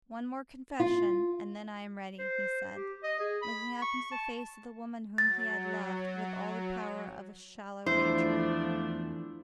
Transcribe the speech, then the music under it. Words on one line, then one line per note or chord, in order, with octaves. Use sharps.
"One more confession, and then I am ready," he said, looking up into the face of the woman whom he had loved with all the power of a shallow nature.
F4
C5
G4
D#5
G#4
B5
C#6
A5
F#3 A6
E2 F3 A3 D4 E4 C5